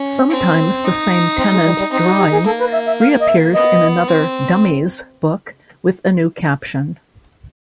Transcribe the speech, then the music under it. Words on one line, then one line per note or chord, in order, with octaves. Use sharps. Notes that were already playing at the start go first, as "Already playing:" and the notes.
Sometimes the same Tennant drawing reappears in another "Dummies" book with a new caption.
Already playing: C#4
C4
D#4
C4
G#3
G3
G3
C4 D#4
F#4
G4
G#4
A#3 A4
B4
E5
E5
F5
D#5
E5
B3 D#5
C4